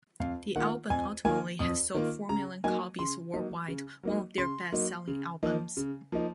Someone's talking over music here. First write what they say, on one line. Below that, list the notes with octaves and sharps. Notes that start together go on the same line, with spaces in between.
The album ultimately has sold four million copies worldwide, one of their best-selling albums.
F2 F5
D#3 A#3 F4 F#5
F2 G#5
D#3 A#3 F4 G#5
F2 D#6
D#3 A#3 F4
C#3 A#5
F#3 A#3 D#4 G#5
C#3 C6
F#3 A#3 D#4
C#3
F#3 A#3 D#4
C#3 C6
F#3 A#3 D#4
C#3
F3 A#3 D#4
C#3
F3 A#3 D#4